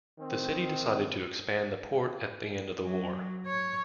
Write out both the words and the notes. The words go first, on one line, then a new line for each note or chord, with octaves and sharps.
The City decided to expand the port at the end of the war.
D#3 C4
F#3
C#5